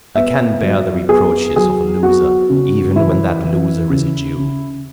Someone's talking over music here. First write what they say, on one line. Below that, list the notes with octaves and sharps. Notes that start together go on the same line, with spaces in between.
I can bear the reproaches of a loser, even when that loser is a Jew.
B3 E5
F#3
B3 G#4
F#3 G#4
B3 F#4
C#3
E3 E4
E3
C#3
C#3